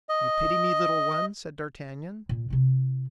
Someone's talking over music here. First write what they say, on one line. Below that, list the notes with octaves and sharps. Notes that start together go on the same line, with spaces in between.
"You pity me, little one?" said d'Artagnan.
D#5
A#2
C3 E4